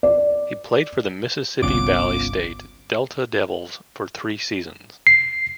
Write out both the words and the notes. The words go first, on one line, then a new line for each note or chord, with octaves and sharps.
He played for the Mississippi Valley State Delta Devils for three seasons.
D5
G1 C2 G2 B3 C#4 F4 D6
C7